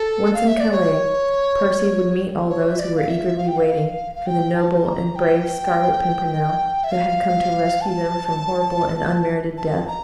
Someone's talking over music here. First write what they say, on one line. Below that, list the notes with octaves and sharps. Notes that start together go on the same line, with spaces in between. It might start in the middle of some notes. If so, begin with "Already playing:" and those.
Once in Calais, Percy would meet all those who were eagerly waiting for the noble and brave Scarlet Pimpernel, who had come to rescue them from horrible and unmerited death.
Already playing: A4
F5
E5
D5
C#5
C#5
E5
D5
F5
E5
F5
G5
F5
F5
G5
A5
A#5
G5
E5
F5
A5
A5
A#5